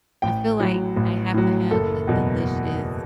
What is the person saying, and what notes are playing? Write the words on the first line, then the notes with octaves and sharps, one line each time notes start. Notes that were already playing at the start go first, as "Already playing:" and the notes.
I feel like I have to have a delicious
A1 G5
A2 F#3
A1
A2 F#3
F#1 A4
E2 B2 F#3